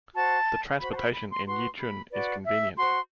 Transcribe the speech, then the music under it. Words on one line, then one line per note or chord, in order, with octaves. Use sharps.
The transportation in Yichun is convenient.
F#4 C5 A5
F#4 C5 B5
A5
B5
B5
C6
F#4 B4 C6
B5
F#4 B4 D5
E5
F#4 C5 C6